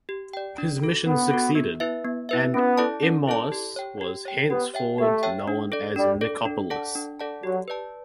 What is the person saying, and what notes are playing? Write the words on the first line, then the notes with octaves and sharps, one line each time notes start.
His mission succeeded, and Emmaus was henceforward known as Nicopolis.
G4
D5 G5
D4
F#4 A4
B3 D4
F#4 A4
B3
E4 B4 E5
B3
E4 B4 E5
B3 C#4
E4 A4 D5 A5
C#4
E4 A4 D5 A5
G4
C#5 G5
G4
C#5 G5
B3 G4
C#5 E5 G5
A3 G4
C#5 E5 G5
D4
A4 D5
G3 D4
A4 D5
D4
A4 D5 F#5 A5
D4
A4 D5 F#5 A5
F#3 G4
B4 D5 A5